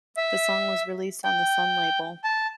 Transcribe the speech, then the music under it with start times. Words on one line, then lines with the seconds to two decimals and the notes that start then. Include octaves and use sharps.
The song was released on the Sun label.
0.17 E5
1.25 G5
2.24 A5